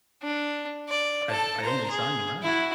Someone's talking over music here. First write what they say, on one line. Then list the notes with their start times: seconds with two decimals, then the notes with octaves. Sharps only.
I've I only sign and rhyme.
0.22 D4
0.89 D5
1.30 A4 A5
1.62 C5 A#5
1.90 G#4
2.43 E4 F#4